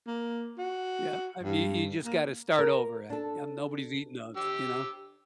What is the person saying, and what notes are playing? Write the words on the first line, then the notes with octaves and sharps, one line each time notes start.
yeah. I mean, you just gotta start over again, um, nobody's eating those, you know,
A#3
F#4
G2
A#3
A#4
D4 A4
G4 E6